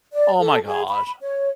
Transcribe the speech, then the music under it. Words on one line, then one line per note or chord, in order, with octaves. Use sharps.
Oh my gosh.
D5
A4
G#4
B5
C#5